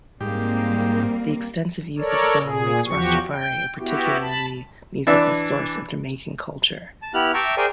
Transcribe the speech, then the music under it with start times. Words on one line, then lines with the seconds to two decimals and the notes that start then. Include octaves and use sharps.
The extensive use of song makes Rastafari a particularly musical source of Jamaican culture.
0.21 G#2 G3 A#3 C4 G4
1.99 A4 A#4 C#5 D5
2.41 A#2 G#4
2.86 E2 F3 F#4 G4 C#6
3.32 G5
3.78 B3 E4 F#4 G4
4.21 A5 B5
5.07 E3 D4 E5
7.02 A5
7.14 B3 E4 G4 F6 F#6
7.34 E5 G5 A5 A#5 C#6 D6
7.57 G#4 A#4 C5 D5 G5 G#5